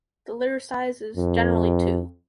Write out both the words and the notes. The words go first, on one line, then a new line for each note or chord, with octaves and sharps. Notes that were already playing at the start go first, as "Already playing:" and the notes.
The litter size is generally two.
F2